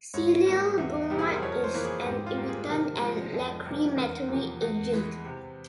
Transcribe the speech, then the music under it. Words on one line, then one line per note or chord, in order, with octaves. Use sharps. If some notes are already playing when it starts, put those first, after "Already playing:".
Xylyl bromide is an irritant and lachrymatory agent.
G#2 C#5
G3 A#3
E2 E5
C3 G3 G4
G#4
A#4
C5
F2 C#5
A#4
C5
E3 A#3
G#4
G#2 G4
F4
G3 A#3
G#4
C3 A#4
F3 G#3
F2
C3 G3 A#3
E2 A#4
C3 F3 A#3
E2
E3 G#3
C3